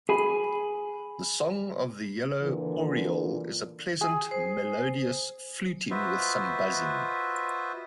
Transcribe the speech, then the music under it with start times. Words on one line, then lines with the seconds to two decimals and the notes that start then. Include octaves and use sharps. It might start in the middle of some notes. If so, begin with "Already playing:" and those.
The song of the yellow oriole is a pleasant melodious fluting, with some buzzing.
0.09 G#4 G#5 B5
2.42 A#2 D3 E3
4.01 G#4
4.31 C5
5.91 F4 F#4 B4 C5 D#5 E5